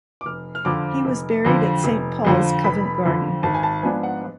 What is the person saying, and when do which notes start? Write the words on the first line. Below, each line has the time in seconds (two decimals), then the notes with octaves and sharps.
He was buried at Saint Paul's church, Covent Garden.
0.21 D6
0.26 F1 F6
0.55 F6
0.65 F2 D3 F3 D6
1.05 F1
1.45 F2 D3 F3
1.84 F1
2.25 F2 D3 F3
2.64 F1 B5
3.04 F2 D3 F3
3.43 G#1 A5
3.54 G#5
3.63 A5
3.83 G#2 F3 B3 D4 G#5
4.03 F#5